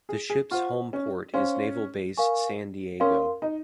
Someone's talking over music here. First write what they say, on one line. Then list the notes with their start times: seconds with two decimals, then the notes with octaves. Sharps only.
The ship's home port is Naval Base San Diego.
0.09 G#4
0.30 G#4
0.51 F4 C5 F#5 C#6
0.93 C#4
1.34 C#4 C5 F5 C6
2.17 A#4 F5 G#5 C#6
3.00 C#4 A#4 F5 C6
3.42 D#4